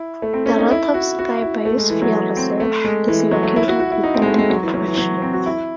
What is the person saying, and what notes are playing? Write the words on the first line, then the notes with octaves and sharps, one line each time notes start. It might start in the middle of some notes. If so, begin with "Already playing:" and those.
The Rostovsky Biosphere Reserve is located within the Depression.
Already playing: E4
A3
C4
C#4
D#4
E4
F#4
F#4
E4
A3
G#3
E3
F#3
C4
A3
G#3
E3
F#3
A3
E4
F#4
F#4
E4
D#4
C4
G#3
A3
G#3
F#3
E3
F#3
E3
F#3
C4
F#4
E4